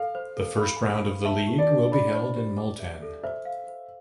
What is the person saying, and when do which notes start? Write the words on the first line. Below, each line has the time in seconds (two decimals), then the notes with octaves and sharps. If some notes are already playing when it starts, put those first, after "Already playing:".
The first round of the league will be held in Multan.
Already playing: A4 F5
0.15 C5
0.37 A4
0.60 B5
0.81 C5
1.04 G4
1.25 E5 A5
1.47 G4
1.58 D5
1.69 D4
1.91 D5 B5
2.13 C5
2.36 G4
2.58 D6
2.80 E5
3.02 A4
3.23 C5 E5
3.45 F5
3.68 C5